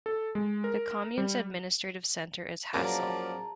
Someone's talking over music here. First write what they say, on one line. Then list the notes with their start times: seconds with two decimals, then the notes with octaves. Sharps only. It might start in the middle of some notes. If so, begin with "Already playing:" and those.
The commune's administrative centre is Hassel.
0.06 A4
0.35 G#3
0.64 A#4
1.18 G3
2.73 F#2 F3 A#3 G#4 D5 A5 A#5